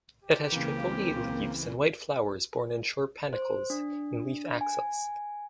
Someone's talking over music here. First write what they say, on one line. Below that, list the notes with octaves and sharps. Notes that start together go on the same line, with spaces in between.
It has trifoliate leaves and white flowers borne in short panicles in leaf axils.
G4
C#2 C#3 E3 A#3 C4
C5
D4
G#5